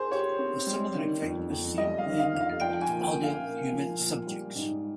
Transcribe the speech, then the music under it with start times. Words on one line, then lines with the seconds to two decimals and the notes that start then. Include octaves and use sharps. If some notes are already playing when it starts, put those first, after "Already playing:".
A similar effect was seen in adult human subjects.
Already playing: G#4 A#4 C5
0.11 G4 C#5
0.39 C4
0.67 G3
0.95 D#3
1.22 F2
1.50 F2
1.78 G3 D#5
1.98 F5
2.06 D#3
2.19 F5
2.33 F2
2.41 F5
2.61 F3 G5
2.81 G#5
2.89 A#2
3.03 G5
3.17 C#4
3.23 F5
3.44 A#3
3.72 F3
3.99 A#2
4.27 G3
4.55 G#2